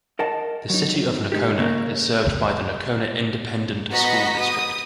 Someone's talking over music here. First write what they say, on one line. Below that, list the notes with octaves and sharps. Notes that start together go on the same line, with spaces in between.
The City of Nocona is served by the Nocona Independent School District.
A#4 D#5 F#5 A5
F#3 D#4
G#3 D#4 G4
C#3 A#3 C#4 A#4
B3 F#4 D#5 F#5 A#5 B6
D#6